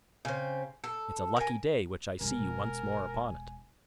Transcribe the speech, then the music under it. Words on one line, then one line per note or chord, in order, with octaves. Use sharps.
"It's a lucky day which I see you once more upon it."
C#3 C4
A4
A#4 G#5
E1 A#4 G#5